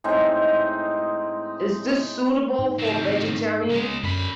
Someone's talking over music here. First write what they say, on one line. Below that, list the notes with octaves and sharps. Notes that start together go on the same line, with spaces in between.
Is this suitable for vegetarians?
A2 G#3 C4 D#4
G#2
A2 C4
C#2 G#3
F#2 D3 B5